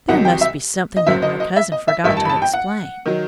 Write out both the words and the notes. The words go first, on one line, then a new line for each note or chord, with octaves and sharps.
There must be something that my cousin forgot to explain.
C2 C3 D#3 F#3 F#5
G5
E5
D#5
F#1 F#2 F#3 E5
D#5
D#5
E5
D#5
E5
A1 G2 D#3 E5
A5
B5
A5
G5
F#5
D#3 F#3